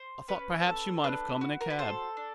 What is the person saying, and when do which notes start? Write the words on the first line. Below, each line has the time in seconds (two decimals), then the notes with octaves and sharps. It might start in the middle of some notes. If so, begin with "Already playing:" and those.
I thought perhaps you might have come in a cab.'
Already playing: C5
0.28 C#4 B4
0.66 A4
1.04 D4 B4
1.41 F#4
1.61 A#4
1.70 B4
1.79 A4 C5
2.17 D4